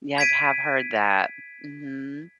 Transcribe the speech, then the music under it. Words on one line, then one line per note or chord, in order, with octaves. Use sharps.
Yeah, I've have heard that. Mhm.
G#6 B6 D7 D#7